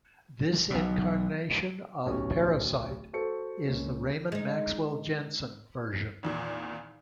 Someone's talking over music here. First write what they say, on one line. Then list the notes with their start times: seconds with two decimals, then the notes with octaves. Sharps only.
This incarnation of Parasite is the Raymond Maxwell Jensen version.
0.70 B1 B2
2.05 D1 B1 C#4 G4
3.13 F#4 A4 C5 C#7
3.67 C#2 A#3 C#4
4.32 G#3 D#4
6.23 G#1 E2 A#2